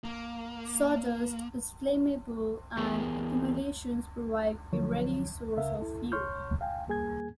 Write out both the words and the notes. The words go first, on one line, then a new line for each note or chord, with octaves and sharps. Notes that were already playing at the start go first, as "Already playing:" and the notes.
Sawdust is flammable and accumulations provide a ready source of fuel.
A#3
E3 B3 G4 G#4 A#4
D3 F3 F#3 C#5
C2 C#3 A#4 E5 F5
E4 A4
C#5 C6 C#6 F6 G6
F5 G5 G#5
D#2 G3 A#3 G#4 G#5 G#6